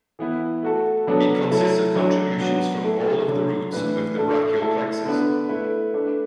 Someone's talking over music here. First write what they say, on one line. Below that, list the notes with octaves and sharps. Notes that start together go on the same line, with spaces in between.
It consists of contributions from all of the roots of the brachial plexus.
E3 B3 E4 B4
A3 F#4 A4
F#3 B3 D4 A4
F#3 A3 E4 A4
F#3 D4 A4
F#3 B3 D4 F#4
A3 E4 A4
D3 F#3 D4
A2 E3 D4 B4
A3 D4 A4
A3 E4 A4
D3 B3 D4 B4
A3 E4 B4
A3 D4 B4